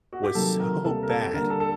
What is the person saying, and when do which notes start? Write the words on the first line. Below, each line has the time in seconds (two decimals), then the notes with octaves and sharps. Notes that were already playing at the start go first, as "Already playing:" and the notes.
was so bad,
0.13 F#4
0.24 G4
0.34 C3 D#3 F#3 A#3 A4
0.59 A#4
0.84 C3 G3 A#3 A4
1.03 A#4
1.09 A4
1.34 D3 G3 A#3 A#4
1.50 A4
1.60 A4